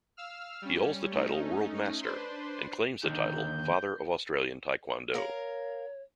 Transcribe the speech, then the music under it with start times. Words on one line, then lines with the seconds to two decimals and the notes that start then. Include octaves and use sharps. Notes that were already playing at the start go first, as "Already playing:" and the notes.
He holds the title 'World Master' and claims the title 'Father of Australian Taekwondo.
0.17 F5 E6 F6
0.62 G3 C#4
1.11 A3 C#4 D#4
2.02 D4 B4 C5 C6
3.04 D#2 D3 D#3 G6
5.14 A#4 C#5 F5